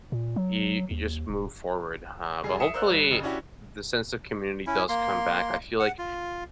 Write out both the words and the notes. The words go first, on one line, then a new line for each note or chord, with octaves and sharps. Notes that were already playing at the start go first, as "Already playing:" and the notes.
you you just move forward, uh, but hopefully, the sense of community does come back, I feel like
A#2
F#3
D#2
D#1
F1 G3 G#4 C7
E5 D#6 C7 C#7 E7
A#4 C5 D5 F5 E6 F#6
G2
F1 C#3
C#4 D4 E4 F#4 G4
C#4 E4
A#3 C6
F#5
F4